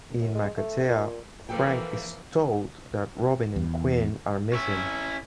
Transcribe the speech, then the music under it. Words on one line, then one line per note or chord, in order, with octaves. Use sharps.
In Makatea, Frank is told that Robin and Quinn are missing.
F#2
G#3
A3
A#2
E3 F3 A#3 A4 B4 G5
E2
C#4 E4